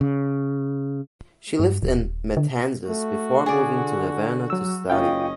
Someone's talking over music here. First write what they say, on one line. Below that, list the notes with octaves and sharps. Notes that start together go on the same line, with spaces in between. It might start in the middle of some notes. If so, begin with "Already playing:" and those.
She lived in Matanzas before moving to Havana to study.
C#3
G2
D#1
D3
A3 F#4
D3 G#4 D5
F#3 E6
F#1 C#4 F4 D#5 F5 G5